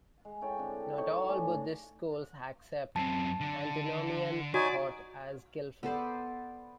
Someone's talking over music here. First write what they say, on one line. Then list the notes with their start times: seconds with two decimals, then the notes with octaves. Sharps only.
Not all Buddhist schools accept antinomian thought as skillful.
0.25 G#3
0.41 E4 A4 C#5 G5
0.58 D3 C4
0.98 D#4 C#5
1.28 A3 D4 G#5 C6
1.45 G#2
2.96 F#2 C4 A5
3.40 D3
4.54 D#4 F#4 C#5 D5 G#5
5.83 B3 A4 C5 D5